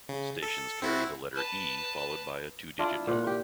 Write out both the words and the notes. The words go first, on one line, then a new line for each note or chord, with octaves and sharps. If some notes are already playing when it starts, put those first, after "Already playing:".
Stations carry the letter "E" followed by a two-digit number.
C#3
A4
C4 E4 F#4
B4 A5
D4 E4 F4
A#2 F#5
G4